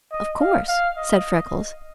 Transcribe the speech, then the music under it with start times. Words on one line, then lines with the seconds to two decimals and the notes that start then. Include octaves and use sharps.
"Of course!" said Freckles.
0.11 D#5
0.40 F5
0.68 F5
0.97 D#5